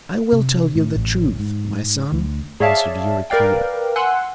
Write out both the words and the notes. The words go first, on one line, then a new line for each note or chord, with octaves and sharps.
"I will tell you the truth, my son," answered Euryclea.
C3
A2
A1
G#2
D2
G#4 C#5 D5 E5 F5 A5
A#4 B4 D5 F5 G5
F#5 G#5 C6 E6 F#6